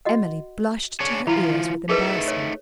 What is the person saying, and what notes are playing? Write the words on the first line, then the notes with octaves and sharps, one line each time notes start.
Emily blushed to her ears with embarrassment.
F#4 D#5 F#5
D4 G#4 C#5
E3 E4 F4 B5
A3 D#4 G#4 A#4 B4 E5
C#5